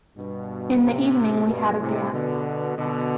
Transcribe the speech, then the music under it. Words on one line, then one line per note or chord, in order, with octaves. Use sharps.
In the evening we had a dance.
G2 B2
A2 C3
G2 B2
A2 C3
B2 D3
B2 D3